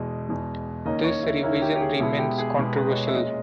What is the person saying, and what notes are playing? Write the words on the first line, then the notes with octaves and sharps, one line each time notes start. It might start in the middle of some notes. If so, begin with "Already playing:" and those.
This revision remains controversial.
Already playing: E2 B2 G#3 D#5
E2 B2 G#3
D#2 D#3 A#3 C#4 D#5
C#5
E4
D#2 D#3 A#3 C#4 E4
G4
G4
G#4
B2 G#3 B3 E4
G4
G#4
B2 G#3 B3
B4
D#5
C#5
E5
A#2 G#3 C#4 D#5